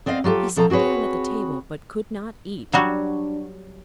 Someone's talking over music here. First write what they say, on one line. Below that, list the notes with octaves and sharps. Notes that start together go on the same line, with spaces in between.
He sat down at the table, but could not eat.
B3 C4 D5 D#5 F5
F#3 F4 G4 A4
B2 F3 A4 A#5
C4 F#4 G#4 B4 C#5
F#3 G3 D4 F#4